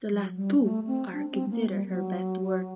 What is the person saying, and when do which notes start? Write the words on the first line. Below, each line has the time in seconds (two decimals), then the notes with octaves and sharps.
The last two are considered her best work.
0.11 F#3
0.36 G3
0.62 A3
0.87 C4
1.13 D4
1.32 C4
1.51 A#3
1.70 G3
1.88 F#3